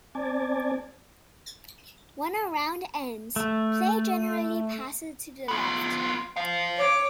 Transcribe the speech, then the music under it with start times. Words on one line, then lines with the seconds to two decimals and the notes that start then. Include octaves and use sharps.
When a round ends, play generally passes to the left.
0.15 C4 D5 G#5 A5
3.36 A3
5.48 B3 F4
6.37 C5 F5
6.76 C#5 D6